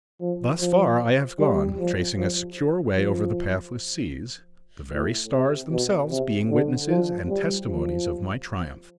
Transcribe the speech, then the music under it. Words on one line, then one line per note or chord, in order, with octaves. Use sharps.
Thus far I have gone, tracing a secure way over the pathless seas, the very stars themselves being witnesses and testimonies of my triumph.
F3
F3
G3
F3
F3
F3
A2
C3
B2
C3
D3
F3
G3
F3